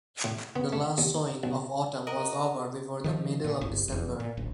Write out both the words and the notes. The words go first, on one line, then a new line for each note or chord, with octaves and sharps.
The last sowing of autumn was over before the middle of December.
A2
B3
A3
D#2
B1
A#4 D#5 F#5 A#5
D#3 F3
A#2
G1 C2
F1 E2
A#2
D1 A#1